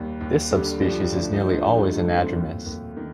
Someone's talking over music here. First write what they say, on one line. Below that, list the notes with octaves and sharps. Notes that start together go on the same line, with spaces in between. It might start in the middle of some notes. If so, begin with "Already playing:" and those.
This subspecies is nearly always anadromous.
Already playing: D#2 G3 A#3
D#2
D3 G3 G4
G3 G4
F3 G3 G4
D2 D4
D#4
D2
F3 F4
D3 G3 G4
A3 A4
G3
C4 C5
D#2
D#2
D#3